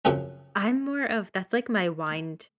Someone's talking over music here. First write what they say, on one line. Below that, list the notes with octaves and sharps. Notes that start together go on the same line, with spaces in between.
I'm more of that's like my wind
F#2 C#3 F3 C4 C#4